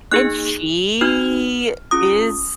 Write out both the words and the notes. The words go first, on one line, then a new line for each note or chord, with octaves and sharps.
and she is
A#3 D#4 G#4 F#6
A#3 D#4 F#4 F6
C#4 F4 G#4 D#6